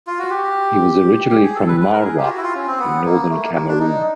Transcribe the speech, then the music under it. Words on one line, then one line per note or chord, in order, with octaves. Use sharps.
He was originally from Marwa in northern Cameroon.
F4
F#4
G4
G4
G#4
A4
B4
B4
A#4
G#4
G4
F4
F#4
E4
F4
C#4
C4
B3
A#3
A3
A#3
A#3
D4
D#4